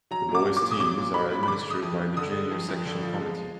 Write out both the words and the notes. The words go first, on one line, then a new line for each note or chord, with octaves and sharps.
The Boys teams are administered by the Junior section Committee.
F#3 A#5
A#2
D6
F#3
D6
A#2
D#6
F#3 D6
A#2
F#3 B5
A#2
B5
D3 D6
G#3
D#6
F2
F2
D3 D#6
G#3
F2
F2
D3
F3
G#3